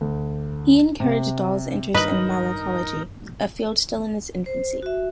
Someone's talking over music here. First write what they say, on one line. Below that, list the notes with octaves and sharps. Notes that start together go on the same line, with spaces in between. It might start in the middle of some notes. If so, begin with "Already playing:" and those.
He encouraged Dall's interest in malacology, a field still in its infancy.
D2
C3
G2 D#3 D#4 A#4 B4 D#5 F#7
C5
F#4 E5